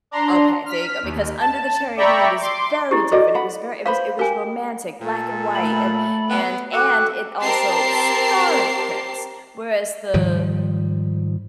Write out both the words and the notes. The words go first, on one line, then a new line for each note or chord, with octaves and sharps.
Okay, there you go. Because Under the Cherry Moon was very different. It was very it was it was romantic, black and white and and and it also starred Prince. Whereas the
D4 A#5 C6
F6 B6
D#2
A5
D5 E5 G5 A#5 B5 C#6
C6 D6
E4 G4 G#4
F#4 A4 D5 D#5
F#5 B5
B4 C5 F5 B5
G4 A#4 G#5
A#2 A4
A3 B5
B3
F#4 A4 G5 D6 F#6
C4 G4 A#4 A5 C7
G#2 D#3 F3 G3